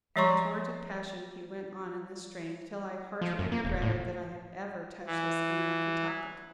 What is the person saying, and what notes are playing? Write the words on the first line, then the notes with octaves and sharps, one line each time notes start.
In a torrent of passion, he went on in this strain, till I heartily regretted that I had ever touched this unlucky topic.
F3 G#3 C#5 A#5 C6 C#6
F3
F#2
A#3
E1
A2
E3